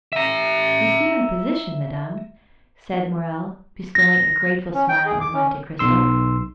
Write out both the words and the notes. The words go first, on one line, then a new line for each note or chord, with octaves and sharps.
"You see my position, madame," said Morrel, bestowing a grateful smile on Monte Cristo.
E5 A#5
A#6
C#4
G5
G#4
D6
C#4
B1 C6 E6